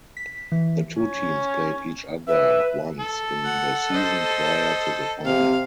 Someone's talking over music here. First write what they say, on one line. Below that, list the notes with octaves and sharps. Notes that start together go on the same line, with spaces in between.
The two teams played each other once in the season prior to the final.
B6
E3
C#4
B4 E5
A4
F#5
C5 D#5
C3 F5